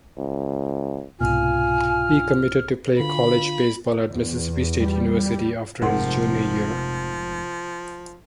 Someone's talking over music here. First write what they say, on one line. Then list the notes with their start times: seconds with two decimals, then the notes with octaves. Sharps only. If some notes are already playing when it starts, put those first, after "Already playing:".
He committed to play college baseball at Mississippi State University after his junior year.
0.18 C#2
1.21 C2 G#2 B2 F4 G#5 F6
3.00 D3 F4 B5
4.13 E2
4.80 G3
5.82 F1 G#2 C3 F3 A#4 F#5 C6